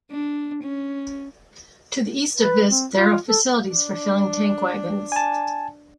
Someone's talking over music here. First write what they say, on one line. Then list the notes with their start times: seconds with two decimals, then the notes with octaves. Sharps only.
To the east of Visp, there are facilities for filling tank wagons.
0.11 D4
0.63 C#4
2.37 B4
2.69 C4
2.92 F4
3.29 A4
3.73 D4
5.12 G#5 A5